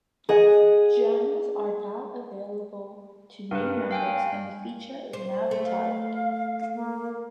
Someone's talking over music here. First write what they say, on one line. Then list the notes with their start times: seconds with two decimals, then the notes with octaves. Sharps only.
Journals are not available to new members and the feature is now retired.
0.29 G#4 D#5 F#5
3.51 G2 A#4 B4
3.91 F5 G5 G#5
5.13 C5
5.51 A3
5.64 F5
6.74 A#3